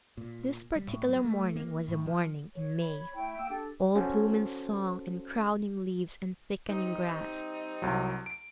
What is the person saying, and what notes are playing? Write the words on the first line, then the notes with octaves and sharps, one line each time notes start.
This particular morning was a morning in May--all bloom and song, and crowding leaves and thickening grass.
A#2
G3
A2
F#3
A3
A#3
A2
F3
C#5
B5
A3 E4 G5
A#3 E6
D4 G4 A4
C#4 F#4 A4 C5
G3 C4 D#4
C2 F#3
D7